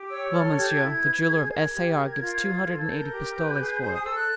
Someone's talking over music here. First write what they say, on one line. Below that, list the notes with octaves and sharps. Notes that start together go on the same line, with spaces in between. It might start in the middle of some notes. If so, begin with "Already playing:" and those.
"Well, monsieur, the jeweler of S. A. R. gives two hundred and eighty pistoles for it."
Already playing: G4
C#5 E6
A4 F6
G4 G#6
E4
B4
G#4
A#4 G#6
G4
A#4
F4
C5
A4
A#4 G6
G4
B4
G#4
C5 G6
D#6
A4 E6
F#6